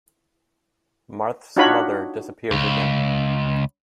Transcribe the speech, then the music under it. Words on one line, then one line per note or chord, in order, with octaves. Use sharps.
Marthe's mother disappears again.
D4 D#4 F4 F#4 C#5 B5
C#2